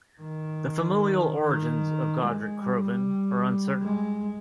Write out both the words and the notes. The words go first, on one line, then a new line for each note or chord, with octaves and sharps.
The familial origins of Godred Crovan are uncertain.
D#3
D#3
G#3
G3
G#3